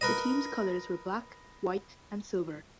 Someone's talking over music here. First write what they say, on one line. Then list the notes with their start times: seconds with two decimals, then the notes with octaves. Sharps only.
The team's colours were black, white and silver.
0.01 A#4 B4 D#5